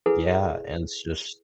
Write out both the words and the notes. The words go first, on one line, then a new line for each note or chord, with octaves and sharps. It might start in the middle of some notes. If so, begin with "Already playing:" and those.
Yeah, and it's just
E4 G#4 A4 B4 F#5 G#5